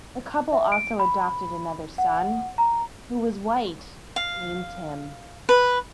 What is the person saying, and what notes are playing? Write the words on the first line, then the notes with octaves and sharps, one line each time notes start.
The couple also adopted another son, who was white, named Tim.
E5
D7
B5
F#5
A#5
F5
B4